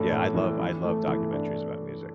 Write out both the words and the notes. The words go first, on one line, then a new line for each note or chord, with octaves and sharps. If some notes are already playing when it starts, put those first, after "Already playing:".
Yeah, I love I love documentaries about music.
Already playing: A2 E3 A3 D4
A2
E3
E3
A3
E3
D4